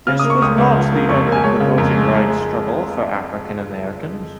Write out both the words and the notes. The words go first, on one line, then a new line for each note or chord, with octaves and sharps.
This was not the end of the voting rights struggle for African Americans.
C#3 F6
A#3 D#6
C#6
C#2 D#6
C#2
F3
A#3
F2 C#6
A#3
G#5
G#3 C#5
C#3
F2 A#4
G#3
G#3
G#3